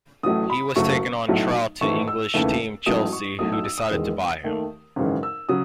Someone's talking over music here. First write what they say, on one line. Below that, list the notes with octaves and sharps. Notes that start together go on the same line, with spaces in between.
He was taken on trial to English team Chelsea, who decided to buy him.
A1 A2 F#3 A3 D#6
B5
F#1 F#2 C#3 F#3 A3 C#6
B1 A2 F#3 A3
G#1 G#2 E3 A3 C#6
E6
E1 D#2 C#3 E3 A3
A1 G#2 F#3 A3 D#6
C#6
B1 A2 F#3 A3 D#6
E6
E6
D#6
E1 E2 D#3 G#3
D#2 D#3 A3
G#1 F#2 C#3 E3 G#3
E6
C#3 F#3 D#6